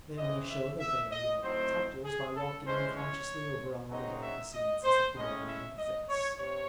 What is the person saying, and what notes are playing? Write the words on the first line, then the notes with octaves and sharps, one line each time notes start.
They only show that they are your protectors by walking unconsciously over all the delicacy and susceptibility you possess.
C#3 E3 C4 D#5
E5
E5
D#5
A2 F#3 C4 D#4 C5
G#4
A4
E3 G#3 C#4 C5
C#5
C#3 F#3 C4 D#4 D#5
E5
D#5
C5
A2 G#3 C#4 D#5
E5
D#5
C#5
C3 C#5